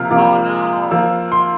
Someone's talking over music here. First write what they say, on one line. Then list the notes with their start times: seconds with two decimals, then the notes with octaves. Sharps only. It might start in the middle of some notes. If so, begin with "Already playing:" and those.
Oh, no!
Already playing: C3 F3 A#3 F6
0.11 C3 F3 A#3 F4 D6
0.91 F3 A#3 F4 E6
1.32 C6